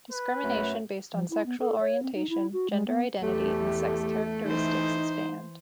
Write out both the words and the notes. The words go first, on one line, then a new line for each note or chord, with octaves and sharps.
Discrimination based on sexual orientation, gender identity and sex characteristics is banned.
B4
F#2 A3
F3
E4
B3
A4
C#5
C4
D#4
E4
F#4
G#3
B3
E2 A3 G4
E3 D#4 C5